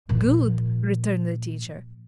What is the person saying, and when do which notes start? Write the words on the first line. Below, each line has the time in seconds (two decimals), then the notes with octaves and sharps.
"Good!" returned the teacher.
0.09 A#2 F3